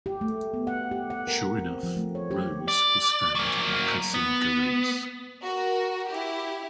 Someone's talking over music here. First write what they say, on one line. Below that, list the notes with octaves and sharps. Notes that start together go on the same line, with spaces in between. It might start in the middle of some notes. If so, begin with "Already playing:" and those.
Sure enough, Rose was found by passing guerrillas.
G4
A3
B3
F#5
G4
F#5
A#4
C4
F3
A3
C#5
G4
D5
F#3 A#3
B3
F#4 A#4
E4 G4